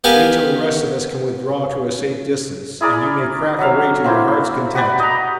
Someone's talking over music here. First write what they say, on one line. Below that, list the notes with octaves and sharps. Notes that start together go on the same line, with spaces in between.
Wait till the rest of us can withdraw to a safe distance; and you may crack away to your heart's content.
B3 G4 A#4 F5 G#5
E4 G#4 A#4 D5
F#3 F#4 E5 F5
A#3 C4 E4
F#4 G4 B4 D5
D#5 A#5